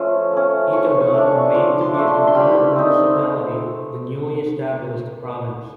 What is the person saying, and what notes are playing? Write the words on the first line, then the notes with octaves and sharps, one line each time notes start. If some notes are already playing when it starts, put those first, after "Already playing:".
Itogon remained to be a component municipality of the newly established province.
Already playing: F3 A3 C#4
A3 C#4
F3 C#6
C#6
A3 D4
C#6
F3 D6
C6
A3 D4
C6
C6
G3 B5
C4 D#4